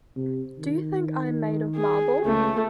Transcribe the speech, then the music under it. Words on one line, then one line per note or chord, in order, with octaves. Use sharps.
Do you think I am made of marble?
C3
D#3
G#4
C#2 A3